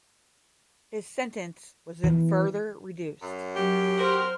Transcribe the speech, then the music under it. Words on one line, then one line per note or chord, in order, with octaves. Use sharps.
His sentence was then further reduced.
E3
F#2
F#3 G4
F#4 A#4 C5 F6